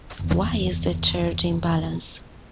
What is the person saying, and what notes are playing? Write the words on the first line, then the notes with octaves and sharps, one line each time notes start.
Why is there charge imbalance?
F#1 E2